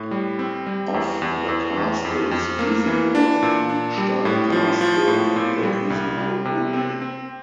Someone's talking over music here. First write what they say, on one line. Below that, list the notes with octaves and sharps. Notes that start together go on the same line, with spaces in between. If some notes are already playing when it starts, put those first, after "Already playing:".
Of the castles, Wiesenburg, Stein Castle and the Isenburg remain.
Already playing: A2
G3
C4
G3
E2
E2
E2
E2
F2
F2
A#3
E3
D4
A#2
D4
G3
A2
F3
F3
A2
A#2
G3
C2
G3
C3
C4
C4